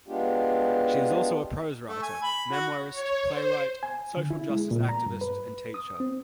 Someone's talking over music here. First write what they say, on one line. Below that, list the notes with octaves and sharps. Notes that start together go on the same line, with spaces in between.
She is also a prose writer, memoirist, playwright, social justice activist and teacher.
G#3 B3 D4 F4 G4
A3
G#5
B5
F#4
C#5
C5
G#5
D3
E4
G#3
A#2
A#5
G2
B4
D#6
C4